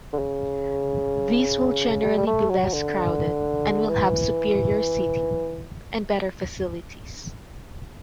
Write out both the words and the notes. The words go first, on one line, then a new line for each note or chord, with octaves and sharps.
These will generally be less crowded and will have superior seating and better facilities.
D3
C#3
G3
G3
A3
F#3
D3
E3